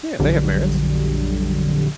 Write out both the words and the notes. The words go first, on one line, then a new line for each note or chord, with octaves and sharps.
Yeah, they have merits.
A#1 F2 D3 F#3 G3